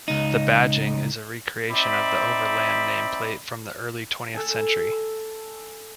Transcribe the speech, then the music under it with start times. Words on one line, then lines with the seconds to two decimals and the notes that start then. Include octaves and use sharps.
The badging is a recreation of the Overland nameplate from the early twentieth century.
0.08 C#2 D#4
1.70 C4 D#4 D5 E5 B5
4.34 A4 G#5